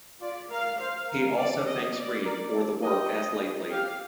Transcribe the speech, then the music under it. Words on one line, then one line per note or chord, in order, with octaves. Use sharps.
He also thanks Reed for the work as lately.
F4 D5
A#4 F5
C5 F5
A#4
D5
D#5
D5
A#4
A4
G4 D#5
G4 F5